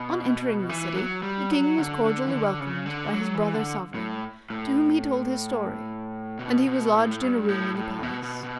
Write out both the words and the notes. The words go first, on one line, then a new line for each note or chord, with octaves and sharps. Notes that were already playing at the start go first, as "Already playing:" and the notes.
On entering the city, the King was cordially welcomed by his brother sovereign, to whom he told his story; and he was lodged in a room in the palace.
Already playing: B2
E3
F#3
G3
F#3
D3
D3
E3
D3
C#3
D3
F#3
E3
D3
A2
A2
B2
B2
A2
G2
A2
A2
B2
B2
B2